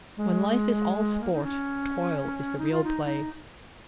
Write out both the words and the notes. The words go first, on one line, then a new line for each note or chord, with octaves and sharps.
When life is all sport, toil is the real play.
G#3
A#3
D#4
C#4
D#4
F4
D#4
D#4